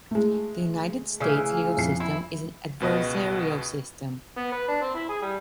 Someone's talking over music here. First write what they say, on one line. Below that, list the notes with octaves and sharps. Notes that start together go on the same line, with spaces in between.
The United States legal system is an adversarial system.
G#3 A3
C#3 E3
F2 C7
E4
C#2 B2 B4 D#5
B3
B4
D4
C4
E4
G#4
G3